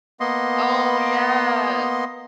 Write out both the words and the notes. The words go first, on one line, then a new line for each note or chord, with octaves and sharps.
Oh, yes.
A#3 B3 D#5 C6